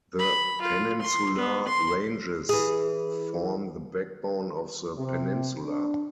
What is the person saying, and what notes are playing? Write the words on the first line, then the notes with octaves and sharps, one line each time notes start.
The Peninsular Ranges form the backbone of the peninsula.
B5
F4
C6
B3
C6
E3 G#4
C3
D4